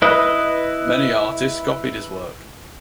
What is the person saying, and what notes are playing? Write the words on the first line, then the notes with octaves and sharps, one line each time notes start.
Many artists copied his work.
E4 B4 D#5